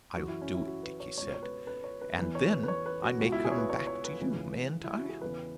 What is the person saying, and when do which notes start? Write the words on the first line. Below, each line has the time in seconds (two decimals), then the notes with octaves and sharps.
"I'll do it," Dickie said, "and then I may come back to you, mayn't I?"
0.15 F#2 E3 F#4
0.28 E4
0.42 C#4
0.54 E4
0.67 F#4
0.83 B4
1.00 C#5
1.17 C#2 B2 C#5
1.34 C#5
1.42 B4
1.67 B4
1.84 C#5
2.01 B4
2.18 E2 E3 B4
2.35 C#5
2.51 B4
2.63 B4
2.68 C#5
2.86 B4
3.03 F#4
3.19 C#2 B2 F#4
3.32 E4
3.45 G#4
3.52 C#5
3.58 B4
3.70 C#5
3.87 C#5
4.04 B4
4.21 C#2 C#3 E3
4.84 E4
4.97 F#4
5.09 G#4
5.21 E2 C#3 E3 B4